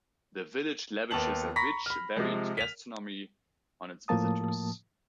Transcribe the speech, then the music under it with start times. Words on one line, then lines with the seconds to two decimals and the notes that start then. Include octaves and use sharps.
The village lavishes a rich, varied gastronomy on its visitors.
1.11 D#2 B3 A5 F#7
1.56 A#5 B5 C#6 A#6 B6
1.86 B5 F6
2.17 C3 F3 G#3
2.57 B6 F7
4.08 A2 F3 A#3 A5 D#6